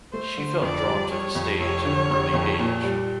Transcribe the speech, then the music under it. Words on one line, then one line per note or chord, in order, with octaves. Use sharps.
She felt drawn to the stage at an early age.
A3 C5
D3
F2 D5
G3
G3 C#5
F2
F1 C#5
D3
F1
F2
A#2
G3